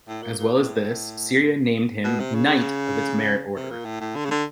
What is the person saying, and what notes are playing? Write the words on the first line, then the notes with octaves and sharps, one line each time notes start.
As well as this, Syria named him Knight of its Merit Order.
A2
A#2
A#2
A2
B2
C3
C#3
C3
A#2
A2
A2
D3
C#3
D3